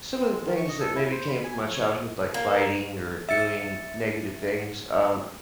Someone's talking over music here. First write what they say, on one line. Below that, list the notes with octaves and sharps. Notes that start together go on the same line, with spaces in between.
some of the things that maybe came from my childhood, like fighting or doing negative things, um,
C4
G#3
D#3
C#6
D#5
A4
E4
C5
B5
G#5
F3
C#5
A#3
E5 A6 C#7